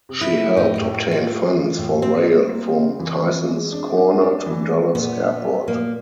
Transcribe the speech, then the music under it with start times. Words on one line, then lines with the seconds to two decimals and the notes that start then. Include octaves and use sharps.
She helped obtain funds for rail from Tysons Corner to Dulles Airport.
0.09 C3
0.21 E4
0.33 A3
0.56 A2 D#4
0.76 G4
0.81 A2
1.05 A3
1.11 F4
1.30 A3
1.54 E3
1.78 A2
2.02 A#3 C4
2.28 G3
2.51 A#3
2.76 C#3
2.99 E3
3.24 E3
3.49 G#3
3.72 D4
3.97 D4
4.21 D4
4.46 E3
4.70 G#3
4.95 A#2 B3
5.18 D4
5.42 F#3
5.68 A#2 A#3